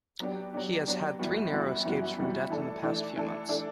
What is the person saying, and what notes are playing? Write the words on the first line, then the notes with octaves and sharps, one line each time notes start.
He has had three narrow escapes from death in the past few months.
F#3 B3 D4 G4
F#3 B3 D4 G4
F#3 B3 D4 G4
F#2 E3 G3 B3 F#4
F#2 E3 G3 B3 F#4
F#2 E3 G3 B3 F#4
F#2 E3 G3 B3 F#4
E3 A3 D4 A4
E3 A3 D4 A4
E3 A3 D4 A4
E3 A3 D4 A4